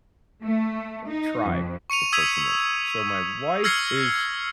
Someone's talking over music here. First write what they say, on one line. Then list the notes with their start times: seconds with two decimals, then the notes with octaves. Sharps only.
tribe the person is. So, my wife is
0.42 A3
1.08 D#4
1.47 F2
1.90 C#6 C#7 D#7 F7
2.12 D#6 E6 G#6 B6 D#7 F7
3.64 E6 F6 G#6 A#6 C7 C#7